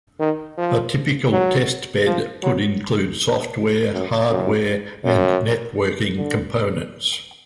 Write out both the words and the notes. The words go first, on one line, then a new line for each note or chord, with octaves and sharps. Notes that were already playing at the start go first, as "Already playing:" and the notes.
A typical testbed could include software, hardware, and networking components.
D#3
F3
F#3
F3
F#3
F#2
F#2
F#2
D3